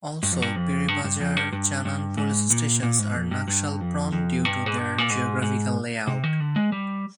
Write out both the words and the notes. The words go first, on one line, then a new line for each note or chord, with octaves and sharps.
Also, Piribazar, Chanan police stations are naxal-prone due to their geographical layout.
G2
F2
G2
F2
G2
G2
F2
G2
G2
G2
G#2
A#2
A#2
G#2
F2
G2
G2
F2
F2
G2
G#2
G2
A#2
G#2
G#2
C3
D#3
D3
G#3
G3